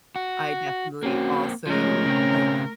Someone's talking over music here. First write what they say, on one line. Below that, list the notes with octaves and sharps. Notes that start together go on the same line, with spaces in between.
I definitely also, like
F#4
A#3 C4 C#4 F#4
F3 G#3 A3 C#4 A#4
C#3 C4